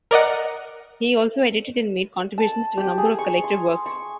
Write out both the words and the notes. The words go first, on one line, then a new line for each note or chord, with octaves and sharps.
He also edited and made contributions to a number of collective works.
A#4 D5 D#5 F#5
A5
G4
G#4
C#6
C6
C#6